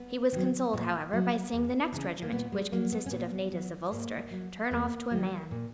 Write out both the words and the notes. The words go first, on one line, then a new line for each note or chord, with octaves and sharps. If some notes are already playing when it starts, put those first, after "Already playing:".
He was consoled, however, by seeing the next regiment, which consisted of natives of Ulster, turn off to a man.
Already playing: B3
D#3 F#3
A#2
F#3
E2
C#3 E3
A#3
A#2 B3
G#3
F#3 A#3
B3
C#4
A#2 B3
F#3
G#2 A#3
F#3
E2 A#3
D#3 F#3
A#2